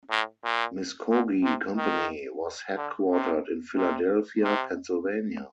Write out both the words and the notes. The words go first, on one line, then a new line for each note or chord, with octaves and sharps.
Muskogee Company was headquartered in Philadelphia, Pennsylvania.
A2
A#2
A#2
C3
D#3
D3
C3
C3
C3